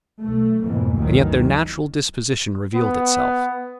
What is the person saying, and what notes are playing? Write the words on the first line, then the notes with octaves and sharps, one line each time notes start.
And yet their natural disposition revealed itself.
B1 A3
F2 G#2 B2 E3 A#3
G1 D2 D#3 E3 F#3
B3